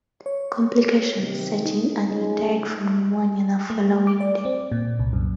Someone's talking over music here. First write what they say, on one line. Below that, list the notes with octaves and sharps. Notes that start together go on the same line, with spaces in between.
Complications set in and he died from pneumonia the following day.
C#5
C3 D#3
D#4
C#3 F3 G#3
A3
D6
D5
C4
A#2
C2
F#2